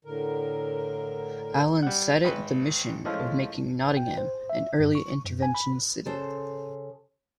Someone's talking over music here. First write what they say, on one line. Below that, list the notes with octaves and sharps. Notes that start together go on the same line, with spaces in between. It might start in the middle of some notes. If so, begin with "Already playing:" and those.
Allen set it the mission of making Nottingham an "Early Intervention City".
A2 D3 A#4
G3 F#5
G#1 B4
E3 F3 G#3 A3 C#4 F4
G5
C5
E5
G2
C#6
F#2
G#5
B5
C#3 A4 C5